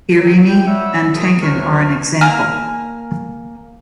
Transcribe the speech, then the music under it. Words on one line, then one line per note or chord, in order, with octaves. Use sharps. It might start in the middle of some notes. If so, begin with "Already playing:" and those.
Irimi and tenkan are an example.
D#3 F#3
G4 G5
G3 C#5 E5 F#5 E6
B2 D#3 F3 F#3 G#4 A#4
D2 E3 F#3 C#6 F6
A#3 G#5 A#5 F6